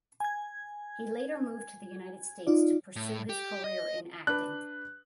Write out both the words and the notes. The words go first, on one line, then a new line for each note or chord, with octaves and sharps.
He later moved to the United States to pursue his career in acting.
G#5 G#6
D#4 F4 D5
A2
G4
D#5
D4 B4 F#6